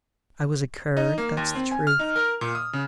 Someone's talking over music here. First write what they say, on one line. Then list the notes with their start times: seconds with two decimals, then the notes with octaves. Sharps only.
I was a cur, that's the truth....
0.97 D#4
1.18 A#3
1.37 D#2
1.55 C4
1.71 G#5
1.87 F6
1.99 D#4
2.16 A#4
2.41 A#2
2.55 D#6
2.73 C#3